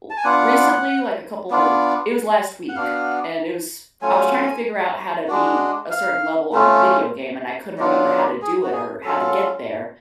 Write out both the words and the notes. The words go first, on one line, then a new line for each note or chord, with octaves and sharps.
ooh recently, like a couple t it was last week, and it was I was tryna figure out how to beat a certain level on a video game and I couldn't remember how to do it or how to get there,
A5
G#5
B3 D4 F4 F#5
B3 D4 F4
F#5
B3 D4 F#4 F5
F#3 A3 C#4 F4 G#5
G#3 D4 F#4
F5
A3 C#4 F4
F#3 B3 D4 F4
G#4
F#4
G#4
F#3 C#4 F4 A4